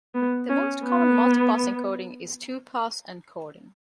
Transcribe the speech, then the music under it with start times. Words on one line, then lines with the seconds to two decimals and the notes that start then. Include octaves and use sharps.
The most common multi-pass encoding is two-pass encoding.
0.14 B3
0.49 C#4
0.85 B3